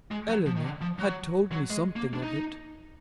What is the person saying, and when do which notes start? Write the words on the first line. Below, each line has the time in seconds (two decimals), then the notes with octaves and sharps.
"Eleanor had told me something of it."
0.11 G#3
0.29 F#3
0.46 F3
0.56 D#3
0.64 D3
0.81 F3
0.99 F#3
1.52 F#3
1.70 G#3
1.96 A#3
2.14 D4
2.22 D#4